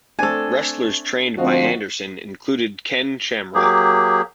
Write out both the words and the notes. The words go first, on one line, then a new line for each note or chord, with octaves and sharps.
Wrestlers trained by Anderson included Ken Shamrock.
A3 C4 D4 A4 G#5
D2 F3 C4 F#4 D#5 F5
F#3 A#3 G4 G#4